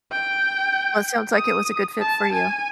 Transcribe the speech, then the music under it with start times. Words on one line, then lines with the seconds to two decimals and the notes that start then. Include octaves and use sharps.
Well, it sounds like it was a good fit for you.
0.12 G5
1.35 D#6
2.01 A5
2.32 G#5